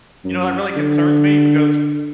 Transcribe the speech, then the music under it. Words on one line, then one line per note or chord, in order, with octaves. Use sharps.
you know, that really concerns me because
F#2
D3